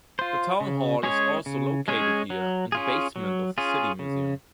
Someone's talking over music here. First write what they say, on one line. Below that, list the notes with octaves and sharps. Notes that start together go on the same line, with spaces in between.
The town hall is also located here, in the basement of the city museum.
F4 C5
C#3
G#3 C#4 G#4 C#5
C#3
G#3 C#4 G#4 C#5
F#3
C#4 F4 G#4
F#3
C#4 F4 G#4
C#3